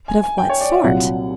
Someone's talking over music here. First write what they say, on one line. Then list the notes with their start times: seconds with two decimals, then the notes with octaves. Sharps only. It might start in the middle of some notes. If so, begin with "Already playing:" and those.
"But of what sort?"
0.08 G#5
0.23 G#5
0.38 G5
0.49 C#5
0.61 D5
0.72 E5
0.84 C2 A#2 F#3 F#5